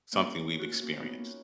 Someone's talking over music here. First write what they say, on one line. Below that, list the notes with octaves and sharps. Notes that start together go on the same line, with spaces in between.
something we've experienced.
A#3 C#4
F#4
C#4 F4
A#3 C#4
B3 D#4
A#3 C#4